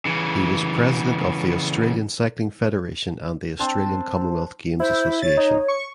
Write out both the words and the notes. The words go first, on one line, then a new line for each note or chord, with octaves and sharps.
He was President of the Australian Cycling Federation and the Australian Commonwealth Games Association.
C#3 E3
C4 D4 C5 A5
E4 C5
C#5 A6
D#4
C#6